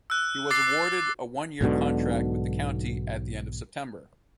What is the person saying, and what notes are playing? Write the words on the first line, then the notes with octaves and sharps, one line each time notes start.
He was awarded a one-year contract with the county at the end of September.
E6 F#6
D6 A6 C7
B1 G#2 B2 D3